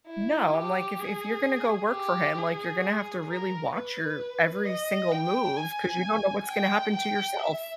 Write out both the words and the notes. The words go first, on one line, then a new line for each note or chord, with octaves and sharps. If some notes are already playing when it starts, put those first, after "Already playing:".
No, I'm like, "If if you're gonna go work for him, like, you're gonna have to really watch your every single move 'cause you don't know what's gonna happen to yourself."
E4
G4
G#4
G4
G#4
A#4
B4
D#5
G5
G#5
G5
G5
E5